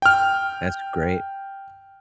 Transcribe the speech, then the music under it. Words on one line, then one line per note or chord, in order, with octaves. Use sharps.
That's great.
G5 F6